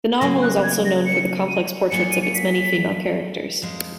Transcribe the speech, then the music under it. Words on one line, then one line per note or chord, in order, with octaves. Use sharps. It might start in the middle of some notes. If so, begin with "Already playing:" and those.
The novel is also known for the complex portraits of its many female characters.
C#3 F#3 A#3 A#6
F#6
G#6
A#6
C#7
D#7
F#3 A#3 F4 G#4 C#7
D#7
C#7
B6
F2 F3 G#3